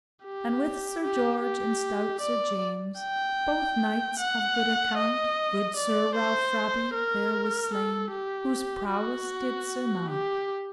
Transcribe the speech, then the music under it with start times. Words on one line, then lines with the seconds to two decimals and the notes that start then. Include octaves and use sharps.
And with Sir George and stout Sir James, Both knights of good account, Good Sir Ralph Rabby there was slaine, Whose prowesse did surmount.
0.25 G4
1.03 G4
1.43 G4
2.21 D5
3.00 G5
4.19 F#5
4.98 D#5
5.76 D5
6.16 C5
6.94 A#4
7.74 A4
8.12 G4
8.91 F#4
10.10 G4